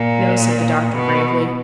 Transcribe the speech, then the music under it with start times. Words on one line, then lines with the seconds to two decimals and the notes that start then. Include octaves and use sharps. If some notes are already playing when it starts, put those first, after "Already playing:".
"No," said the doctor gravely.
Already playing: A#2
0.94 B2